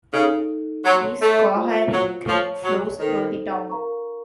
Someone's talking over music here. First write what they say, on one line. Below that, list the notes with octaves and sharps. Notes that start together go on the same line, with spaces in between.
The Schoharie Creek flows through the town.
C#3 D#4 A4 D#5
F#3 C#5 A5 C6
A3
F4 C5 F5
F#3
F3 C#5 A5 C#6
F#3
D#3 D#4 A4 C5
A#4 F5 A#5 C#6